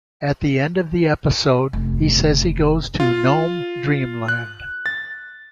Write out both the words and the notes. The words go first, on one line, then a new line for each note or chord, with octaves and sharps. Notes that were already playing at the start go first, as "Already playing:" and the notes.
At the end of the episode he says he goes to "Gnome dream land".
F1
F4
F#6
A6